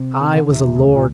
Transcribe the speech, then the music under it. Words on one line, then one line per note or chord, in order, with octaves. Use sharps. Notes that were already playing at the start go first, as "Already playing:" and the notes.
I was a lord.
Already playing: C3
C#3
D#3
D3
E1 C3
D2
A#2